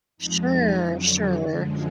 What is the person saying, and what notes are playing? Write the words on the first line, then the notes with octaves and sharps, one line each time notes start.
Sure. Sure.
F2 F3 G#3 D#4
D#4
F2 D3 F#3
F#2 D3 F3 G#3 D4